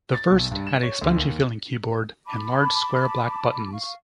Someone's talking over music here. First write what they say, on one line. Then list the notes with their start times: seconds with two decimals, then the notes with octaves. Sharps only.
The first had a spongy-feeling keyboard and large square black buttons.
0.14 A6
0.30 B1
0.51 G2
0.67 E7
0.83 C#5
1.02 D2
1.17 D#2
2.26 A5 B5 D6
3.72 F5 C#6